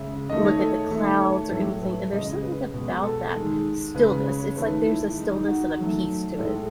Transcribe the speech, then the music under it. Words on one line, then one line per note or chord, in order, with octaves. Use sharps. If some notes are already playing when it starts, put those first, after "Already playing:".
look at the clouds, or anything, and there's something about that stillness, it's like there's a stillness, and a peace to it.
Already playing: C#3 G#3 E5
D#3 A3 D#5
C#5
A4
D#3 A3
C#5
A2 F#3 A3
B4
C#3 G#3 D#5
B4
B2 G#3
A4
D#3 G#3
C#3 G#3 B4
C#5
D#3 A3 B4
E4
E4
D#3 G#3 D#4
D#4
F#4
D#3 F#3 A3
A2 G#3 A4